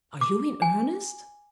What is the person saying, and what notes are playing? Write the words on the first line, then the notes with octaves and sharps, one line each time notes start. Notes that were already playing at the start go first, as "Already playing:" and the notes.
"Are you in earnest?"
D6
G#5